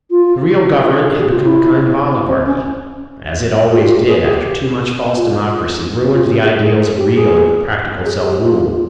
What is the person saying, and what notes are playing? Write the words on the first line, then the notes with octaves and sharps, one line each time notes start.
The real government had become a kind of oligarchy, as it always did after too much false democracy ruined the ideals of real and practical self-rule.
F4
F4
G#4
G4
F4
E4
C4
C#4
F4
G4
F4
G#4
G4
F4
F4
G4
G#4
G#4
G4
G#4
G#4
G#4
G4
F4